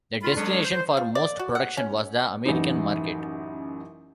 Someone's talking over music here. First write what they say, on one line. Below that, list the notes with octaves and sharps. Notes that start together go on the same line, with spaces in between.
The destination for most production was the American market.
D#3 F4 B5
D3 F#3 G#3 B3 C#4 D4
C5
F4
D5
F#4
F#5
C#4
A1 F#2 D#4